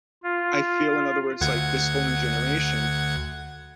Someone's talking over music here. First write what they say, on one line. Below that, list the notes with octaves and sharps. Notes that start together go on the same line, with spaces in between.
I feel in other words, like, this whole new generation,
F4
D2 F#5 G#6